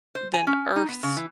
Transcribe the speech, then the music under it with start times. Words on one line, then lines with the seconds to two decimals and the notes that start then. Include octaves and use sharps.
than Earth,
0.15 C5
0.33 G#5
0.47 C#4
0.76 D#4
0.89 B3
1.03 C#3
1.17 E3